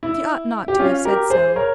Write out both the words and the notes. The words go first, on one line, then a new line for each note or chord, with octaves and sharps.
She ought not to have said so.
E4
G4
C#4 F4
G4 A#4
G#4 C5
A#4 C#5